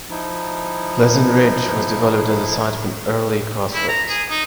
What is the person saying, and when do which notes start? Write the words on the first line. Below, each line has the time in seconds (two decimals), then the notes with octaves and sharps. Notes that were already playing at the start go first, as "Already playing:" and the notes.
Pleasant Ridge was developed at the site of an early crossroads.
0.10 F3 D#4 E4
3.74 E4
3.89 A#5
4.10 G#4
4.30 D#4